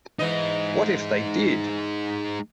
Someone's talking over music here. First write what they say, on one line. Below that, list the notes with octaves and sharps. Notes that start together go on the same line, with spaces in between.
What if they did!
E3 G#3 D#4 D#5